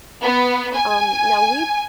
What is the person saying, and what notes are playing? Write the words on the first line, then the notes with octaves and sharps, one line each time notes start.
um, now we t
B3
G#5